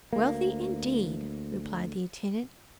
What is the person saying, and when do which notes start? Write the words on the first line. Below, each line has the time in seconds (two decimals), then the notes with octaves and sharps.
"Wealthy, indeed!" replied the intendant.
0.13 D2 A#3